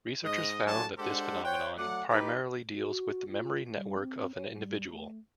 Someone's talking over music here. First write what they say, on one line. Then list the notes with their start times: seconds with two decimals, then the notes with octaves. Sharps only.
Researchers found that this phenomenon primarily deals with the memory network of an individual.
0.24 G#2 D#5
0.65 F#3 A3 D4 F#4 G#5 A5
0.98 G#3 D4 G4 A4 C5 F#5
1.44 C5 C#5 F#5 G5
1.77 F#3 A3 D5 F#5
2.11 D#4 G4 B4
2.73 F#4
3.30 F4
3.75 G3
4.00 C4
4.34 C#5
4.56 G3
4.92 A3